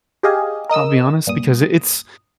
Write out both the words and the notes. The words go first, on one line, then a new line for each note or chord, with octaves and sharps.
I'll be honest because i it's
G4 G#4 D#5 F5 G#5
A#4 D#5 D#6 E6
G2 A#2 D#6